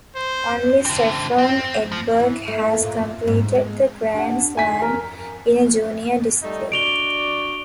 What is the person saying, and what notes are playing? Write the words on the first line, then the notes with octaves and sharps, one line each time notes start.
Only Stefan Edberg has completed the Grand Slam in a Junior discipline.
C5
D3 C4
C4
F3
E3
A3
A#2
G#2
G#3
D4 G4 F#5
D3 A3 D#4 G#5 B6
A#4
G3 A3 D#4
D4 F#4 D5 D7 F7 G7